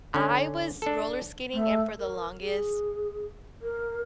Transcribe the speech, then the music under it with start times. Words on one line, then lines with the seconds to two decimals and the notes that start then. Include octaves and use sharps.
I was roller skating, and for the longest
0.14 D3 C#4
0.82 D4 A4
1.54 A3
1.99 A#4
2.41 G#4
3.62 A#4